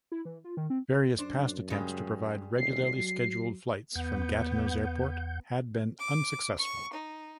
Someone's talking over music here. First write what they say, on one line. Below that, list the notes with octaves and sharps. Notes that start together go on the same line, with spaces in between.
Various past attempts to provide regularly scheduled flights from Gatineau's airport had been unsuccessful.
E4
E3
F4
D#3
C4
F#2 D4 C5
C#3 G3 G#3
D#1 C7
F#3
E2 B3 F#5 G6
D6
C#6
D#4